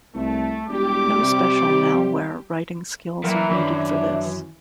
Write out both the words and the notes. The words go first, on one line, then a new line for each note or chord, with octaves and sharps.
No special malware writing skills are needed for this.
C2 A3
E1 G3 G4 D6
C3
A#2 E3 F#3 A#4
F#2 D#3 D4